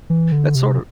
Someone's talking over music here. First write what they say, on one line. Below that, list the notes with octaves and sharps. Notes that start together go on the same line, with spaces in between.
that's sort of
E3
D3
C3